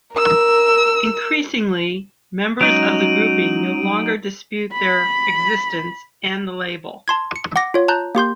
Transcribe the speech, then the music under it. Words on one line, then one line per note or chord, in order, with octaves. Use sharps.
Increasingly members of the grouping no longer dispute their existence and the label.
A#4 E6
F#3 G#3 C#4 D#4 F#4 D7 D#7 F#7
B5
A5 C6 G#6
C#7
F#5 D6 A#6
F4 C#5
A5 A#5 F#6 G6
A#3 G4 C6 G6